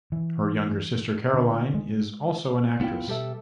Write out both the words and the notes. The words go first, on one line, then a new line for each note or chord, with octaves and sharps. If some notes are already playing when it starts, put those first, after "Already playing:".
Her younger sister, Caroline, is also an actress.
E3
D3
G#3
C2 B3 E4 F4 G5
B2 G3 G4 A4 E5